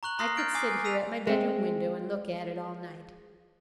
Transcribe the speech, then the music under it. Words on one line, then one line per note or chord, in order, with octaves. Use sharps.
I could sit here at my bedroom window and look at it all night.
A#5 C#6 F#6 F#7
A#5 C6 D#6 F6 A#6 C7
F6 G6 A6 D7
G#5 D6 D#6 C7
G#5
E6 B6 D#7 F7
G#3 C4